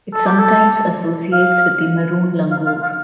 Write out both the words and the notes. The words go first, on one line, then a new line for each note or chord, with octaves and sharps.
It sometimes associates with the maroon langur.
A4
G4
A4
F5
F5
F5
F5